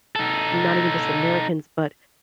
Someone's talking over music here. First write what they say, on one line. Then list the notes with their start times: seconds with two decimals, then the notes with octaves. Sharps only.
not even just Americans, but
0.16 D#4 A4